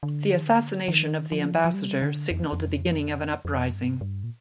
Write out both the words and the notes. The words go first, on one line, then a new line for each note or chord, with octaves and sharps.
The assassination of the ambassador signaled the beginning of an uprising.
D3
D#3
D3
D#3
F3
F3
G3
D3
F2
F2
F2
G2
G2
A#2